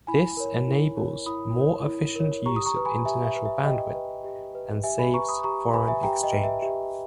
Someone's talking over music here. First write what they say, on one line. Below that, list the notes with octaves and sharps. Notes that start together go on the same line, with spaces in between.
This enables more efficient use of international bandwidth and saves foreign exchange.
E4 G#5 B5
A#4 C#5
E4
A#4 C#5
E4 B5 D#6
A#4 C#5
E4
A#4 C#5
G4 A#5 C#6
D#6
A#5 C#6
B4
G#5 B5
G4 E5 G#5
E5
B4
E5
G4 D#5 G5
B4
G4
B4
G4 E5 G#5
G#5 B5
B4 A#5 C#6
B5 D#6
G4 A#5 C#6
B4 G#5 B5
E5 G#5
G4 G5 A#5
D#5 G5
B4
E5
G4 E5